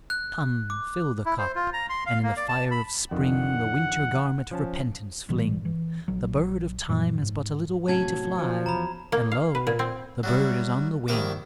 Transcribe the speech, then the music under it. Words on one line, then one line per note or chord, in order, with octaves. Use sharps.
Come, fill the Cup, and in the Fire of Spring The Winter Garment of Repentance fling: The Bird of Time has but a little way To fly--and Lo! the Bird is on the Wing.
F#6
D6
E4
C5
F4
A#5
C6
F5
A#3
D5
A5
B5
F2 D3 D#3 F#5
F3 C#4 A5
A1 A#2 E3 G3
E3
A#1 F#3
F#2 A#2 F3 F#3
G#2
A2 C3 F#3 C#4 F#4 A5 G#6
F3
E2 A#5 B5
A#3
F5
B4
A#2
C4
F#3 G3 E4
A#1 D#3 E4 G4 G5 D6